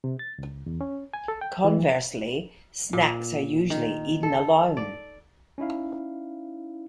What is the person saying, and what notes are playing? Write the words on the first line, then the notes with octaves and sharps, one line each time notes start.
Conversely, snacks are usually eaten alone.
C3
A6
C#2
E2
C#4
G#5
A4
G5
E3
A#2
D#3
A4
D5
C#4 D#4 E4 F5